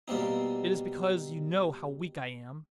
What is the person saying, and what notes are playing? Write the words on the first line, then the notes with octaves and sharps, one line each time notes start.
It is because you know how weak I am!
B2 G3 A#3 C4 D#4